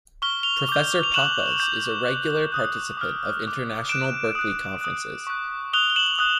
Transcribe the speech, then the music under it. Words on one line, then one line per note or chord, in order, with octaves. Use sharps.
Professor Pappas is a regular participant of International Berkeley Conferences.
C#6 F6 G7
F7 G7
D6 G6
F7
C#6 F#6 E7 F#7
D6 G6
D6 F#6
D#6 F#6
D6 F6
D6 F6
D6 F#6 D7 E7
D#6 F#6
D#6 F#6
C#6 F#6
D#6 F#6 F7 G7
G7
E7 F#7
D#6 F#6